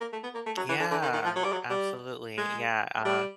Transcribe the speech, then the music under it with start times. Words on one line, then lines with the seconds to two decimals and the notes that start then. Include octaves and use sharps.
Yeah, absolutely, yeah, uh
0.01 A#3
0.12 A3
0.23 B3
0.34 A#3
0.46 A3
0.57 F#3
0.69 E3
0.79 D3
0.91 D3
1.02 D#3
1.13 D#3
1.25 F3
1.36 F#3
1.44 G3
1.52 F#3
1.70 G3
2.38 G#3
3.05 G3